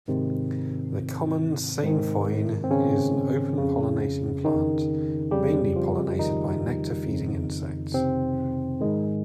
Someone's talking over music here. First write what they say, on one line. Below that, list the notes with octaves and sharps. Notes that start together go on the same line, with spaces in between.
The common sainfoin is an open pollinating plant, mainly pollinated by nectar feeding insects.
G#2 C3 D#3 C4
G#2 D#3
C4
C#3 C#4
F2 C#3
D#3 D#4
F2 C#3 G3 G4
F3 F4
D#3 D#4
F2 C#3
C3 C4
G#2 D#3 G#3